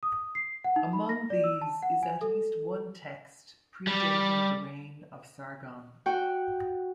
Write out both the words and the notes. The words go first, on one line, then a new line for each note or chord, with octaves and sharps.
Among these is at least one text predating the reign of Sargon.
D#6
C7
F#5
D#4
B5
A#6
D5
E6
A5
F#5
G#5
A4
G3
F#4 F#5 G5